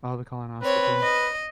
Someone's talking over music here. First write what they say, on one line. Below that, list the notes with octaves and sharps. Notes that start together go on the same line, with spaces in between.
Oh, the colonoscopy.
C4 B4 C#5
D#5